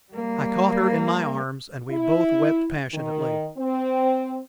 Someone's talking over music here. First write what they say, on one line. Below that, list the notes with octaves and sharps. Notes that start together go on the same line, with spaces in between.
I caught her in my arms, and we both wept passionately.
G3 A#3
E4
D#3
C4